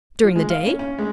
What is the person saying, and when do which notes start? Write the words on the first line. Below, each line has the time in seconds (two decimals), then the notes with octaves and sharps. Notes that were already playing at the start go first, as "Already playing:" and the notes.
"During the day?"
0.24 F3
0.36 G#3
0.50 F5
0.66 C#4
0.79 C#4
0.99 G#3